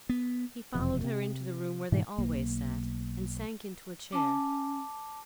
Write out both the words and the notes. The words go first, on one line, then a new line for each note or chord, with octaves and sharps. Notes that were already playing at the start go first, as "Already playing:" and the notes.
He followed her into the room where they always sat, and sank into a chair.
B3
E1 F2 C3
C3
G#2 B2 E3 G#3
B1 A#3
C#4 A5 D6